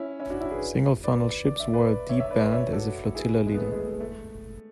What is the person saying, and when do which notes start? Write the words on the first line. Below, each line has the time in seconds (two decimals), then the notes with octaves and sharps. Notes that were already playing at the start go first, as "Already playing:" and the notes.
Single funnelled ships wore a deep band as a flotilla leader.
Already playing: C#4 E4
0.20 C#4 E4
0.30 D4 F#4
0.40 C#4 E4
0.51 G#4 B4
1.04 B4 D5
1.46 D5
1.60 E5
1.73 B4 D5
2.09 C#5 E5
2.20 C#5 E5
2.30 B4 D5
2.52 C#5 E5
2.73 F#4 A4
3.15 E4 G#4
3.47 G#3
3.52 B3
3.57 A3
3.72 G#3
3.86 A3
4.00 A3